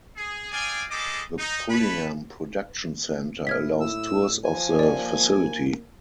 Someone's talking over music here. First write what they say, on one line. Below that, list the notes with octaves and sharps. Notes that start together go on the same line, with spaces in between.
The Pulliam Production Center allows tours of the facility.
G#4
G#4 D5 F5 G5 G#5
G3 G#3 G#4 A4 D#5 D6
D#4
B4 C#5 A5 B5
A2 E4 F6 G#6 B6
E6
F3 G#5
A#3 D5